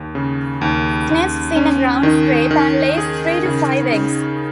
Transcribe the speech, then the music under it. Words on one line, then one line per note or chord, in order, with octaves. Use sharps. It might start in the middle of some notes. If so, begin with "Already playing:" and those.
It nests in a ground scrape and lays three to five eggs.
Already playing: D#2
C#3
D#2
D#2
C#4
D#3
D#3
G#4
C#3
C#3